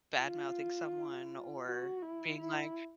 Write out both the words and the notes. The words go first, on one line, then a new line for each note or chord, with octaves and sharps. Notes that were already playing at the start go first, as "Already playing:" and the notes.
bad-mouthing someone or being like
F4
F#4
E4
E4